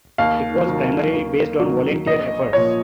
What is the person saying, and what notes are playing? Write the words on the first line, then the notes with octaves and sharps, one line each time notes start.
It was primarily based on volunteer efforts.
D#2 F5
D#3 F#3
D#2
D#3 F#3
A#1 D#5
A#2 F3 C#5